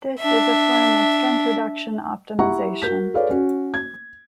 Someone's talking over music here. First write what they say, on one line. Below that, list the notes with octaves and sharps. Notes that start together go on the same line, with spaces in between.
This is a form of strength reduction optimization.
D4 E5
E4 G4 E5 F#5 A#5 C#6
F#4 A#4 G6 B6
G#4 A4 B4 C#5 D5 F5
C#4 F#4
G#6